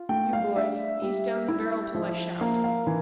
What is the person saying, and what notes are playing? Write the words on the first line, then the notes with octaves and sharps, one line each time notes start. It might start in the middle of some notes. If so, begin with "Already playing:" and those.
You, boys, ease down the barrel till I shout.
Already playing: F4
A3 G5
F5
D4 E5
G3
E4
F3
A#3 F5
F5
E3